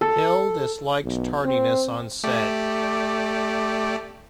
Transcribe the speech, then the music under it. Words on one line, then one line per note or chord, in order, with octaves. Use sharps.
Hill disliked tardiness on set.
A4
B1
C4
A3 G4 D5